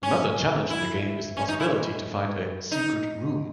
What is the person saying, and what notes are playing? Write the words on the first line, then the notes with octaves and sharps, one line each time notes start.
Another challenge in the game is the possibility to find a "secret room".
C#4
E4
C#4
D#4
E4
D#4